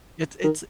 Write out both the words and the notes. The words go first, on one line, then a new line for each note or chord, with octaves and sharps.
it's it's
D#3